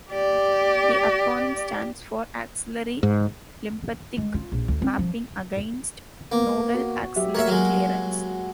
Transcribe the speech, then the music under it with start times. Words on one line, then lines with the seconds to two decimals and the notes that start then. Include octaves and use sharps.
The acronym stands for Axillary Lymphatic Mapping Against Nodal Axillary Clearance.
0.12 G4 D5
3.03 G#2
4.17 G#3
4.34 F4
4.52 A#1
4.68 D2
4.82 C4
4.99 F3
6.32 A#3 B3
6.75 F#4
7.16 F#3 G4 E5
7.35 A#3 A#4 C#5 E5
7.48 F#3 G#3